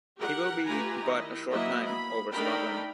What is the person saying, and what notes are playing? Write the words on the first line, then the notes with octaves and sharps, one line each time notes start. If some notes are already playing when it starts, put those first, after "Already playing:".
He will be but a short time over Scotland.
G4 A#4 F#5
A3 F4 G4 B4 G#5 A#5
D#3 E4 D#5
F#3 A#3 B3 E4 D#5 E5
B5
A3 D4 D#4 A#4 G5 B5